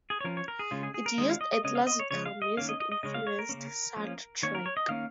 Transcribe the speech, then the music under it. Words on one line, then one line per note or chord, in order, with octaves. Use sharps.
It used a classical music-influenced soundtrack.
G#4
C#5
F3 C#4 A#4
C#5
A#4
G#4
C#3 G#3 C#4 F4
G#4
G#4
A#4
D#3 G#3 C#4 D#5
F5
D#5
D#5
C#3 G#3 C#4 D#5
F5
D#5
C#5
C#3 F3 G#3 C#5
F5
D#5
D#3 A#3 C#4 F5
D#5
D#5
D#5
C#3 G#3 C#4 D#5
F5
C#5
A#4
C#3 A#3 C#4
F3 A#3 C#4
D#3 A#3 C#4 C#5
A#4
C#5
D#5
D#3 A#3 C#4 F5